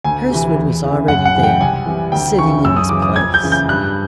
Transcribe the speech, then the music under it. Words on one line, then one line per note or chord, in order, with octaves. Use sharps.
Hurstwood was already there, sitting in his place.
D2 G#5
C3 E3
E2
C#3 E3
F#2 F#5
F#5
C#3 E3
G5
C2 G#5
C3 E3
D2 G5
C#3 E3 C#6
F#2 E6
D#6
C#3 E3 D6
D#6
F2 G#6
G6
C#3 E3
G6
G2 F#6